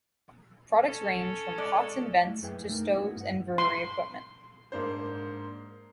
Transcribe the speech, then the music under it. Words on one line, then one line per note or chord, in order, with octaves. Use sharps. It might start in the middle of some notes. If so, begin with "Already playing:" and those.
Products ranged from pots and vents to stoves and brewery equipment.
C#4 A4
G#3 D5
A3 E4
F#2 G#4 B4 E5 G5 G#5
A3 D#4 A#4
B3 C#4 E4 F#4
G2 F#5
C6
G#2 A#3 D4 C5